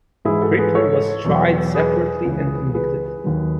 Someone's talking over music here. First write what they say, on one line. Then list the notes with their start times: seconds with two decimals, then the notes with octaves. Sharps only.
Crippen was tried separately and convicted.
0.25 G#2 E3 E4 G#4
0.42 F#4 A4
0.58 G#4 B4
0.75 A4 C#5
1.25 E2 B2 F#3
1.75 G#4 B4
2.25 C#2 C#3 E3
2.74 G#4 B4
3.24 D#2 D#3 F#3